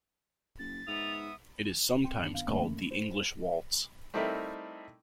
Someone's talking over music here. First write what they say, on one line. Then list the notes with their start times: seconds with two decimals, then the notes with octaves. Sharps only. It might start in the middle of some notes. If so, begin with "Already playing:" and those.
It is sometimes called the "English Waltz".
0.59 F#1 A6
0.87 G#2 B3 E5 D#6 F7
2.03 C4 G5 C6 C#7
2.20 G2 D#3 D4
2.34 B3 F5
2.48 F#2 B2 D3 A3 A#3 C#4
2.91 C5
4.14 G3 A3 C4 D#4 E4 A#4